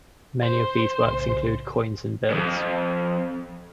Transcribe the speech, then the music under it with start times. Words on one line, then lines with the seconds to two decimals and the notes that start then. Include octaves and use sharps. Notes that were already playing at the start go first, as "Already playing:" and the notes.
Many of these works include coins and bills.
0.43 C5
1.04 B1 A2 C#3
2.30 F2 G#2